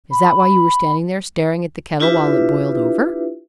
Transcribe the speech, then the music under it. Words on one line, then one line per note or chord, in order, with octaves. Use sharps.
"Is that why you were standing there staring at the kettle while it boiled over?"
B5
D4 E4 F4 G4 B4 E5